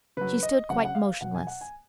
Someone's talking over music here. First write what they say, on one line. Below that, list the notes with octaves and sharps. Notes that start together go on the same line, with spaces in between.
She stood quite motionless.
C#3 F#3 B4
D#5
C#3 F#3 F#5
F#5
F5
B2 F#3 F#5
G#5
F#5
G#5